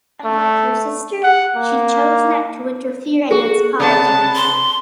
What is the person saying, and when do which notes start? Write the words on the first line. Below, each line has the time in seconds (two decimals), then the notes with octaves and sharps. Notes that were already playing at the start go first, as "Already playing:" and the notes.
Unlike her sister, she chose not to interfere in its politics.
0.24 A3
1.23 F#5
1.56 A#3
3.31 F#4 G#4 A4
3.80 C3 B3 D5 F#5 A5
4.36 C6